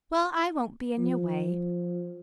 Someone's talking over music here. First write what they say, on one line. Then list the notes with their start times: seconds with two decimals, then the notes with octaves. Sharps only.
Well, I won't be in your way.
0.98 F3